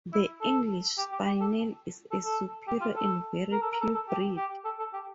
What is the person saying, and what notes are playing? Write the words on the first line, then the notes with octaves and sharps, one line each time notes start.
The English spaniel is a superior and very pure breed.
E4
A4
G4
G4
G4
A4
A4
A4
G4
F4
A4
A#4
A4
A#4
A4
A4
G4
G4
A4
A4
G4